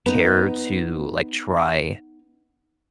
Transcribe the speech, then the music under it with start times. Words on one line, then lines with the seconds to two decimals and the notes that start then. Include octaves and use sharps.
care to, like, try
0.06 B3 D#4